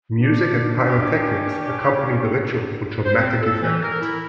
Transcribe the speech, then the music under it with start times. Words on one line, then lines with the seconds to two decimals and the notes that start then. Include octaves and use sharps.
Music and pyrotechnics accompany the ritual for dramatic effect.
0.17 D4
0.84 C#4 G4
3.05 C5
3.18 C4
3.41 A4
3.61 E3
3.83 A#4
4.00 E4